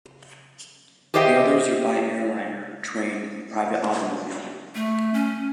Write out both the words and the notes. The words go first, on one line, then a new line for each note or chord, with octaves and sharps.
The others are by airliner, train, and private automobile.
G4 G#4 C5 D#5 E5 G5
A3
C#4